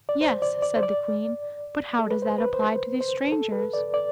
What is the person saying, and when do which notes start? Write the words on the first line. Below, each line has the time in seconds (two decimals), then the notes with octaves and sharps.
"Yes," said the Queen; "but how does that apply to these strangers?"
0.09 D5
0.21 C5
0.42 D5
0.62 D5
0.76 C5
0.83 D5
1.99 A4
2.11 B4
2.22 C5
2.38 B4
2.54 C5
3.01 C5
3.32 A4
3.52 B4
3.73 D5
3.94 D5